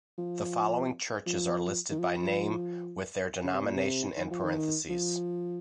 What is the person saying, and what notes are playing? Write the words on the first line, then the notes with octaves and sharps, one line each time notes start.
The following churches are listed by name, with their denomination in parentheses.
F3
F3
D#3
F3
C#3
C3
A#2
C3
D#3
F3
D#3
F3